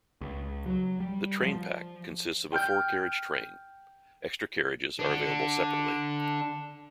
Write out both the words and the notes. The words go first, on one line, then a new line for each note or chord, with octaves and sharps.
The "train pack" consists of a four-carriage train; extra carriages are available separately.
C#2
F#3
G3
F3
G5 F6 G6
D3 D4